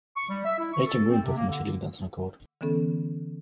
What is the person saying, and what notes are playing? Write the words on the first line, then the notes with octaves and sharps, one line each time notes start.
Eight young women perform a cheerleading dance on a court.
C#6
G3
E5
E4
C#6
A4
C4
C3
A#3
D3
D3 E3 B3 C#4 A4